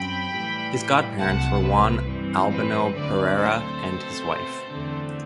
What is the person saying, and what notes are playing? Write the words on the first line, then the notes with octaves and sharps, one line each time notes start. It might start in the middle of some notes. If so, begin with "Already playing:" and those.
His godparents were Juan Albano Pereira and his wife.
Already playing: F#2 F#3 C4 G5 B5
A2 E3 G3
C2 C3 F#3 A3 F#5 A5
B4
G2 E3 G3 C4
B4
D2 D3 F#3 A3 C4 B4 D5
A4 C5
B2 A3 C4
E2 D3 A3 C4